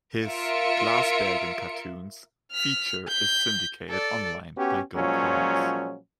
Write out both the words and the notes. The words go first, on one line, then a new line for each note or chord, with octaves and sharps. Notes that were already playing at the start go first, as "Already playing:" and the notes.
His "Glasbergen Cartoons" feature is syndicated online by GoComics.
F4 A#4 E5 F5 C#7 D7
F6 B6
G6 B6
A4 D5
B3 C#4 F#4 G4
A#2 F3 F#3 G#3 C#4